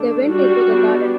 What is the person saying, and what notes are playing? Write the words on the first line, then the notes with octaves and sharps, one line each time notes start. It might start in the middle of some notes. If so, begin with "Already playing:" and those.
They went into the garden.
Already playing: D3 A3 D4
G3 D4 F#4
G3 B3 D4